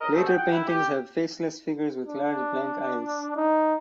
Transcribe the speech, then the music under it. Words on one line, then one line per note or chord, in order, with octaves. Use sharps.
Later paintings have faceless figures with large blank eyes.
C#2 A#4 D#5
C2 F2 B2 A3 C4
G#4 F#5 G5
F#5 G5
E4
G4
D4
D#4